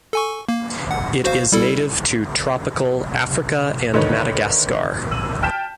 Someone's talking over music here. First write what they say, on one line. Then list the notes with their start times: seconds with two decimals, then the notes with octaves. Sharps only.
It is native to tropical Africa and Madagascar.
0.13 A4 G#5 C#6
0.49 A#3
0.91 F#5
1.24 F#4 C5 F5
1.52 G3 E4 A4
3.94 D3 D#3 A3 D#4 B4 C#5
5.11 E6 D#7 F#7
5.42 G5 A5 F6 G6 B6 E7